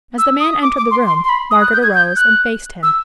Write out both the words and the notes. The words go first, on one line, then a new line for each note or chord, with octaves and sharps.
As the man entered the room, Margaret arose and faced him.
E6
D#6
D6
D6
C6
C6
C6
B5
D#6
F#6
G6
G#6
G6
F#6
E6